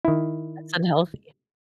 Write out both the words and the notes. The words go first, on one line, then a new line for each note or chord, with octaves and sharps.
That's unhealthy.
D#3 E4